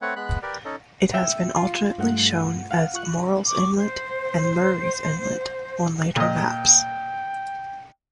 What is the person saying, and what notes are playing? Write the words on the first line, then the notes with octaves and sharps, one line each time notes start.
It has been alternately shown as "Morrall's Inlet" and "Murrays Inlet" on later maps.
A3 C4 B4 C#5 F#5
G#3 B3 B5 F#6
G4 A#4 B4 D5
C#4 D#4 A4
E5 G5
F4
G2 A3 F#5
F5 F#5
F4 C#6 F#6
C#6 D6
C5
A#2 D#5 G5